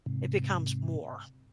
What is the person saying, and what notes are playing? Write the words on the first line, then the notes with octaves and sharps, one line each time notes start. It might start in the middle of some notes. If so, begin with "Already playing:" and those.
it becomes more.
G#2 C3